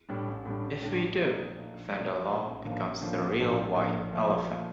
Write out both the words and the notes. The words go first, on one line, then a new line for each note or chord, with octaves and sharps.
If we do, then the law becomes the real white elephant.
A2 G3 D4
A1
A2 G3 D4
A1
A2 G3 D4
A#1
A#2 A3 D#4
A#1
A#2 A3 D#4
A#1
A#2 A3 D#4
A#1
A#2 A3 D#4
A1
A2 F3 A#3 D4
A1
A2 F3 A#3 D4
A1
A2 F3 A#3 D4
A1
A2 F3 A#3 D4
A#1
A#2 F3 A3
A#1
A#2 F3 A3